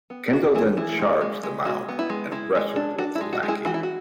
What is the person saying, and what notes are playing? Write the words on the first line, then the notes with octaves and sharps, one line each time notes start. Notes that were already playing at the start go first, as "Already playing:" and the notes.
Kendall then charged the mound and wrestled with the Lackey.
B3
D4 F#4
E3 E4 G#4
E3 E4 G#4
G#3
G#3
G#3
G#3 F#4
B3
E4
G#3
G#3 E4
G#3
D4
D4 F#4
E4
G#3
F#4
G#3
E4 G#4
E3 F#4
E4
F#4